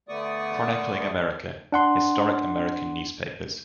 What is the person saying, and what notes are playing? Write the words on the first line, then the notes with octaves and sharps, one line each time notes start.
Chronicling America: Historic American Newspapers.
D3 A3 B3 D5 C#6 D#6
D4 F#5 C6